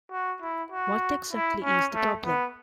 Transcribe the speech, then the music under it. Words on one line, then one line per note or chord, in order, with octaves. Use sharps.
What exactly is the problem?
F#4
E4
F#4
E4
C#4
A3
B3